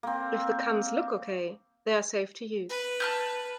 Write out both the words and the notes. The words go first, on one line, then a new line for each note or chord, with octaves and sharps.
If the cans look okay, they are safe to use.
A#3 C4
B4
A5 F6 G6